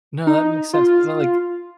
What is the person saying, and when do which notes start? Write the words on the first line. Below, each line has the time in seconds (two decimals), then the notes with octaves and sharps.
No, that makes sense, 'cause I like
0.27 D#4
0.73 F4